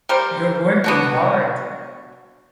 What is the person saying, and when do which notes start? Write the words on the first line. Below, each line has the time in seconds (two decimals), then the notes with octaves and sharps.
You’re working hard.
0.09 G3 A#4 C5
0.84 B3 D4 F#4